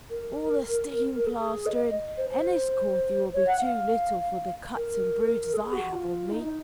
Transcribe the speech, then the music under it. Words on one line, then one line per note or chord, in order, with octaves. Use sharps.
All the sticking-plaster in Enniscorthy will be too little for the cuts and bruises I have on me.
A#4
G#4
D#5
D#5
C5
C5
C#5
F#5
F5
A#4
G#4
F#4
F4
D#4
D#4